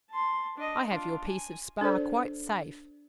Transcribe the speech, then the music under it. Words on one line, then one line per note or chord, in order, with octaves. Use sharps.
I have your piece of spar quite safe.
A5 C6
D4 D#5
D4 F4
G#5
D4 A4 C5 D5